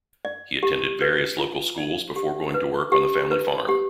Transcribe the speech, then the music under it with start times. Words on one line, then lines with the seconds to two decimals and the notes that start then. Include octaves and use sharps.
He attended various local schools before going to work on the family farm.
0.25 D5
0.63 G4
1.02 B4
1.39 F4
1.78 D5
2.16 G4
2.54 B4
2.92 G4
3.31 B4
3.69 G4